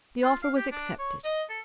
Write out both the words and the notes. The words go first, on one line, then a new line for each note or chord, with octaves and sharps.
The offer was accepted.
F4
F5
G4
D4
C#5
D#5
A4